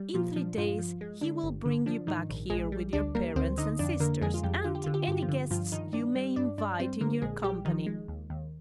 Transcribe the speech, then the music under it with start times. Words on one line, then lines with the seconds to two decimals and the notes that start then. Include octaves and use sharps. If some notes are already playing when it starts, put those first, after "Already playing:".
In three days he will bring you back here, with your parents and sisters, and any guests you may invite, in your company.
Already playing: G3
0.14 A#2 F3 F4
0.36 F3 D4
0.57 G2 F3 F4
0.79 F3
1.01 G#3
1.21 D3 D4
1.43 G1
1.65 D3
1.86 F3 D4
2.07 G#2 D#3 D#4
2.30 A#1
2.50 A#1 G#3 G#4
2.72 G3
2.93 D2 D4 D5
3.15 G3 A#3 A#4
3.36 D2 C4 C5
3.57 D3 D#4 D#5
3.79 F2 D4 D5
4.00 D3 A#3 A#4
4.21 F2 G#3 G#4
4.34 F4
4.43 F2 G3 G4
4.64 D3 F4
4.75 G4
4.84 D3 F4
4.94 G4
5.03 F4
5.08 G2 G4
5.22 F3 F4
5.29 D3
5.51 G2 F3 F4
5.72 G2 D#3 D#4
5.93 G2 D4 D5
6.16 G3
6.36 G2 D4 D5
6.58 G2 D4 D5
6.80 G3 C4 C5
7.01 D3 A#3 A#4
7.22 A#1 G#3 G#4
7.43 A#1 G3 G4
7.65 D#3 F3 D#4
7.86 G#3
8.08 D#2
8.30 D#2